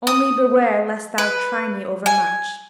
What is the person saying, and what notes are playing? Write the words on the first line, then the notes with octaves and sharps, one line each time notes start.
Only beware lest thou try me overmuch.
D#6
B4
G#5